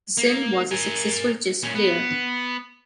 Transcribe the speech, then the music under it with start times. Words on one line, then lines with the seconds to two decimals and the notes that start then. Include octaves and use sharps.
Zinn was a successful chess player.
0.17 A#3
0.71 A#4 G#5
1.63 A#2 C#4
1.75 B3